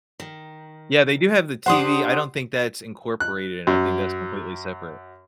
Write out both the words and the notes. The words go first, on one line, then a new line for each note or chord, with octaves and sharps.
Yeah, they do have the TV, I don't think that's incorporated, and I think that's completely separate.
D#3
D4 G4 C5 F#5 C6 D#6
F#6
F#2